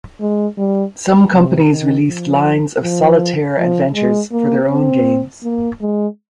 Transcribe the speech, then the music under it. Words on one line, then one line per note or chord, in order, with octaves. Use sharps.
Some companies released lines of solitaire adventures for their own games.
G#3
G3
C3
D#3
F3
F3
F3
G#3
A#3
C4
A#3
G#3